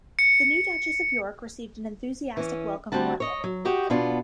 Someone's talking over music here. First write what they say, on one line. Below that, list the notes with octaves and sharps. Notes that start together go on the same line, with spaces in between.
The new Duchess of York received an enthusiastic welcome in London.
C#7
E3 C#4
D2 G3 C4 F#4 A5
C#5 D#5
F#3
F#4 G4 D#5
B2 B3 D4 F4